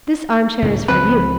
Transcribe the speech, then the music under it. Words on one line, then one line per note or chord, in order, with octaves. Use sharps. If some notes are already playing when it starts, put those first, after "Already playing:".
This armchair is for you.
C#2 A2
C#2 F3 C4 B4